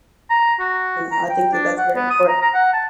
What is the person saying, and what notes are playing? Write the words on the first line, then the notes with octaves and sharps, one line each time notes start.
You know, I think that that's very important.
A#5
F#4
A#5
G5
D4
F#5
B3
D#6
A#5
A#5
F#5
A5